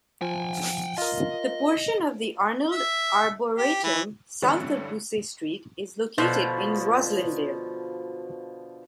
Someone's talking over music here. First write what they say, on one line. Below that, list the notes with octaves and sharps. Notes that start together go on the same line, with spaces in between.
The portion of the Arnold Arboretum south of Bussey Street is located in Roslindale.
F3 G5 G#5
F4 A#4 D#5
E5
G4
E3
G2 D3 E3 G3 C4 C#4
B2 D3 F3